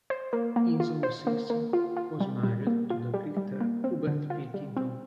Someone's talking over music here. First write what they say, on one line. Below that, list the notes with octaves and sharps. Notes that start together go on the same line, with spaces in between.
His own sister was married to the cricketer Hubert Pilkington.
C5
A#3
A#3
F4
C5
A#3
A#3
F4
F4
G3
G3
A#3
F4
G3
G3
A#3
C4
D3
F4
G3
C4